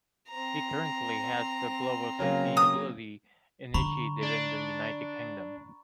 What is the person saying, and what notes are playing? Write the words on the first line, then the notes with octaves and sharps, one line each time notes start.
He currently heads the Global Sustainability Initiative in the United Kingdom.
C4 A#5
C#3 F#3 A#3
D#6
D3 A#5 B5 C#6
D4